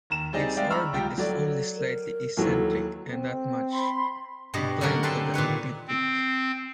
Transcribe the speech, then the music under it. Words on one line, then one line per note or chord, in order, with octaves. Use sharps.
Its orbit is only slightly eccentric and not much inclined to the ecliptic.
D#2 A#5 E7
G3 C4 D#4 G#4 D5 D#5
G#3 D5 E5 F5 G5
A#5 B5 C#6 E6 F6
C#2 G3 F4 G5
F#3 A4 D5
A#4
D#2 E3 F#3 A4
C4
B5 C6
G2 B2 G3 D#5
D3 F#3 G3 C#4 D4 A#4
D3 C4 B4 G5 A5 C6
A#2 D#3 B4 C#5
C4